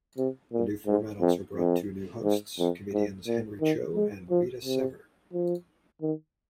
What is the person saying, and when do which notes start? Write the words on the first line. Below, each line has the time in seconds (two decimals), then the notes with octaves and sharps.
The new format also brought two new hosts: comedians Henry Cho and Rita Sever.
0.17 C3
0.52 A#2
0.86 G#2
1.21 F2
1.56 F2
2.23 G#2
2.59 F2
2.93 G#2
3.27 A#2
3.61 D#3
3.95 G#3
4.30 F3
4.65 C3
5.33 F3
6.02 D#3